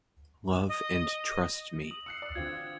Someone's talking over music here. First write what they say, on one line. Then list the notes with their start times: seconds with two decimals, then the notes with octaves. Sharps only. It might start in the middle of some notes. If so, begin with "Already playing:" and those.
Love and trust me.
0.68 D#5
1.88 D#6 F#7
2.06 E6 F#6 C7 C#7
2.22 D5
2.35 D3 C4 F4 G#6